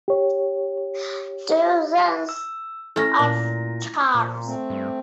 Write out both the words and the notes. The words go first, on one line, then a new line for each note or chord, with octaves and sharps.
Dozens of times.
G4 C#5
E6
A3 C#4 E4 A#6
A#2
A#2 F3
A3 C4
G2